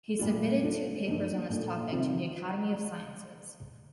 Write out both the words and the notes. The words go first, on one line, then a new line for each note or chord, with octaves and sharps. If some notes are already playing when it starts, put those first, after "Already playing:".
He submitted two papers on this topic to the Academy of Sciences.
A#2 G3 D4 F4
D3 A3 D4 F4
G2 F3 A#3 D#4
A#2 A3 D4 F4
C3 D#3 G3 C4 F4